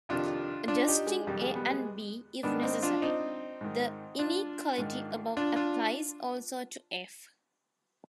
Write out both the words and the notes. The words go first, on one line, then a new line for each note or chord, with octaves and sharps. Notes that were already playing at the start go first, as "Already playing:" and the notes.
Adjusting "A" and "B" if necessary, the inequality above applies also to "F".
F2 C3 D#3 D4 F4
D4 F4
D#4 G4
G#3
F2 C3 D#3 G3
G#3
G3 B3
G#3
G#2 D#3 B3 D4
C4 D#4
D4 F4
C4 D#4
G#2 D#3
D4 F4
G#2 D#3
D4 F4
D4 F4